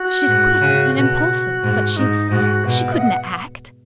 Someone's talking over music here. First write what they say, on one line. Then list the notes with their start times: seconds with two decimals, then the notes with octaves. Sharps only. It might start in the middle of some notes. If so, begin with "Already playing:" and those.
She's quick and impulsive, but she--she couldn't act.
Already playing: F#4
0.28 G#2
0.61 C#3
0.95 B2 F#4
1.63 G#2
1.93 F#4
1.97 G#2 D#4
2.31 G#2 F#4
2.65 B2 F#5
2.92 D#5
2.98 F#5